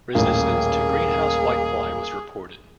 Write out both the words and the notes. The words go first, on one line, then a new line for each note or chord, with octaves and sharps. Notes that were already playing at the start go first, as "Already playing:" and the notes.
Resistance to Greenhouse whitefly was reported.
D#1 A1 A#3 G#4